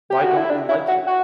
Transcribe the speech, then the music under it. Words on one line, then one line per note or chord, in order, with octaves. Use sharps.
Why don’t you like it?
G4
F#4
E4
D4
E4
F#4
F#4